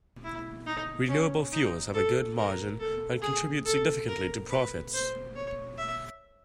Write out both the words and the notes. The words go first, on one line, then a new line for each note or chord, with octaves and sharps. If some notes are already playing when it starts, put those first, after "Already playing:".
Renewable fuels have a good margin and contribute significantly to profits.
E4
D#4
C#4
D#4
A4
A#4
A4
G#4
A4
A#4
B4
C5
C#5
E5